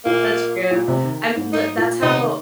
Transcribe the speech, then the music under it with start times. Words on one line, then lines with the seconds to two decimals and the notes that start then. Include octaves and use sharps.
That's true. I'm the that's how
0.05 A#2 A#3
0.71 A#2
0.88 C3
1.03 D#3
1.36 G#2
1.53 G#2 D#4
1.77 A#2
2.02 C3 D#4
2.18 D#3